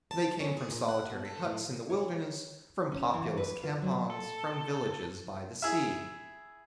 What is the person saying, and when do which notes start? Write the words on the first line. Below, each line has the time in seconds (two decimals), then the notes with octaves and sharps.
They came from solitary huts in the wilderness, from populous campongs, from villages by the sea.
0.11 A5
0.40 C#4
0.57 G#4
0.71 A#2
0.88 F#5
1.10 B2
1.25 A4
1.45 A2
1.90 C#5
2.92 C#4
3.14 E3
3.37 B4
3.63 F4
3.82 F#3
4.10 A4
5.62 E4 G#4 E5